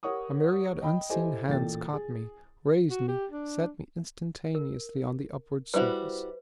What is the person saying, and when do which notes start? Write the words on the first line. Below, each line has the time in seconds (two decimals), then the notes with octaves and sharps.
A myriad unseen hands caught me, raised me, set me instantaneously on the upward surface.
0.03 G4 A#4 C#5 F#5 C#6 D#6
0.81 D#5 G5 B5
1.10 E4 G4 A4 C5 D#5 G#5
1.49 A1 A#2 A#3 A4 G5 A6
1.93 G#4
2.90 F#4
3.08 G4
3.31 D4
4.55 A#4
5.74 G3 E4 F#4 B4 C5